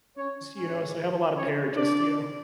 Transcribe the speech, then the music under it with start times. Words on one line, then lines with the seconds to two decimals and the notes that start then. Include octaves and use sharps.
s you know, so I have a lot of pair just, you know,
0.17 C#4 C#5
0.57 A1 G#2 E3 C#4 C#5
1.36 C#4 C#5
1.75 D4 D5